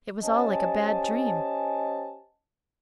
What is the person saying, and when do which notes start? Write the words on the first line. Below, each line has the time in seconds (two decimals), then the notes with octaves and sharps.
It was all like a bad dream.
0.23 C#4 G4 C5 D#5 G#5 A5